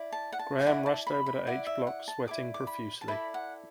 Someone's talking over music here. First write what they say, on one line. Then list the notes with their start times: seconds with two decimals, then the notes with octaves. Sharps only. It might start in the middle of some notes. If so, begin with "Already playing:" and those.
Graham rushed over to H block, sweating profusely.
Already playing: E4 D5
0.12 A5
0.32 F#5
0.39 A5
0.66 E4 D5 F#5
0.86 A5
1.07 B5
1.26 B5
1.47 E4 D5 F#5
1.66 E5
1.87 F#5
2.08 A5
2.27 E4 A4 D5 D6
2.54 D6
2.67 B5
3.01 A5
3.08 E4 A4 D5 B5
3.34 F#5